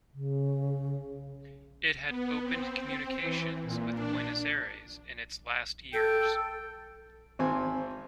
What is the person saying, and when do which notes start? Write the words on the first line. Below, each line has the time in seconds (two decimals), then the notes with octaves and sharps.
It had opened communications with Buenos Aires in its last years.
0.14 C#3
2.08 B3
2.43 C4
3.18 E3
3.64 A#2
3.94 D4
5.93 A4 G5
7.39 G#1 C4 G#5